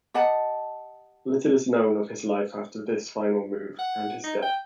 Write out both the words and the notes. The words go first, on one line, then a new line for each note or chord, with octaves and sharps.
Little is known of his life after this final move, and his death.
G4 D#5 F#5 A5
F#5
D#4
G5